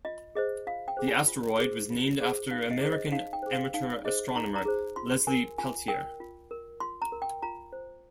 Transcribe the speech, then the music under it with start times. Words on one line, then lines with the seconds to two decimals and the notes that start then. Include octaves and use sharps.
The asteroid was named after American amateur astronomer Leslie Peltier.
0.05 F4 D#5
0.35 G#4 C5 D#5
0.67 F4 F5
0.88 G5
0.97 G#4 C5
1.08 G#5
1.28 F4
1.59 G#4 C5
1.90 F4
2.21 G#4 C5
2.51 D#4 F5
2.71 D#5
2.81 G#4 C5
2.93 D#5
3.12 D#4 F5
3.33 G5
3.43 G#4 C5
3.53 F5
3.74 D#4 F5
4.05 G#4 C5 D#5
4.36 D#4 A#5
4.56 A#5
4.65 G#4 C5
4.96 F4 C6
5.27 A#4 G#5
5.58 F4 G#5
5.88 A#4 G5
6.20 F4
6.51 A#4
6.80 F4 C6
7.02 A#5
7.12 A#4
7.22 G5
7.42 F4 A#5
7.73 C5